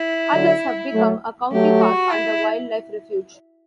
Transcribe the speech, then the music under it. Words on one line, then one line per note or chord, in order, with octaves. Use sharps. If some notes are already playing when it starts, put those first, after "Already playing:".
Others have become a county park and a wildlife refuge.
Already playing: E4
D3 F#3
F#3 A3
F#3 A3 G4
F#4
E4